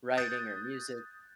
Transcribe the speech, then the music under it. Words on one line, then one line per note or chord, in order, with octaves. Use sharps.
writing, or music?
D#6 F#6 G6 A6